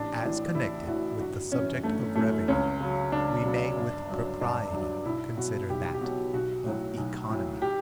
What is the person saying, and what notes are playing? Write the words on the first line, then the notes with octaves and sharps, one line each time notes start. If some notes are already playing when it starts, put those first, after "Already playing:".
As CONNECTED with the subject of revenue, we may with propriety consider that of economy.
Already playing: A1 D4
A2 E3
A1 E4
A2 E3 F#4
G1 F#4
F#2 E3 C#4
G1 A3
F#2 E3 A3
C#2 C#4
C#3 F#3
C#2 D4
C#3 F#3
G1
G2 F#3
G1 D4
G2 F#3
B1 E4
B2 F#3 F#4
B1 G4
G4
B2 F#3 F#4
B1 F#4
A2 F#3
B1
A2 F#3
G4